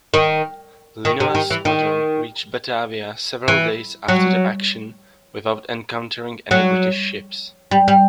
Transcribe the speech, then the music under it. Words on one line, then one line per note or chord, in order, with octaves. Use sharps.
Linois's squadron reached Batavia several days after the action without encountering any British ships.
D#3
D#3
C3
D#3
E3
D#3
E3
F#3
F#3
G3
G3